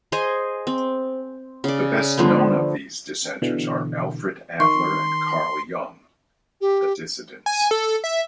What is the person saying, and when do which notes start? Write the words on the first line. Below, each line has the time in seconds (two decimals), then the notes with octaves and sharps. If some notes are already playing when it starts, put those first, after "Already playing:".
'The best-known of these dissenters are Alfred Adler and Carl Jung...The Dissidents'.
0.12 G#4 C5 D#5 G#5
0.67 C4
1.64 C#3 D5
2.18 D3 F3 A3 B3
3.42 B2 D3 E3
4.60 D#3 C6 C#6
6.61 G4
7.46 G#5
7.71 A4
8.04 E5